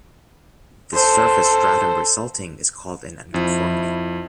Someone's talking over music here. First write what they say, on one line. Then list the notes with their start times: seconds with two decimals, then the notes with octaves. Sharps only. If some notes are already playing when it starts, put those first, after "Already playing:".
The surface stratum resulting is called an unconformity.
0.94 A4 C5
3.34 F2 E4